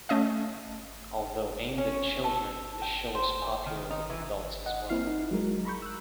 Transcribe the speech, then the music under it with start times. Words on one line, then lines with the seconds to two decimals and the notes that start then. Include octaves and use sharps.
Although aimed at children, this show was popular with adults as well.
0.09 A3 C#4 D#5 F5
1.78 C#4
2.24 A4
2.82 G5
3.15 C5
3.66 D#3
3.91 D#4
4.10 E3
4.66 D#5 F#5
4.89 A#3 C4 E4 F6 C7
5.07 D#4
5.31 F#3 G#3 A#4
5.65 A#5 B5 C#6 G6
5.82 E6 F#6